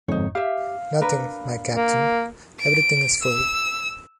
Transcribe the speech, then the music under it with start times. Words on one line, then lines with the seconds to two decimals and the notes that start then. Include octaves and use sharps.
Nothing, my captain, everything is full.
0.08 G1 F2 G#2 D#4 C#5
0.35 G4 E5 F5
1.01 D4 A#4 B4
1.75 A#3
2.60 D7
3.22 E6